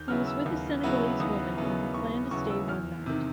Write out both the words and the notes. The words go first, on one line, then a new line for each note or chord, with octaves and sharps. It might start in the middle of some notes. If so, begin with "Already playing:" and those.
He was with a Senegalese woman and he planned to stay one night.
Already playing: D#2 G6
C#3 F#3 B3 E4 F6
E6
D#2
C#3 F#3 B3 E4
D#2 D#6
C#3 F#3 B3 E4
D#2 C#6
C#3 F#3 B3 E4 C#6
E6
E2 F6
C3 D#3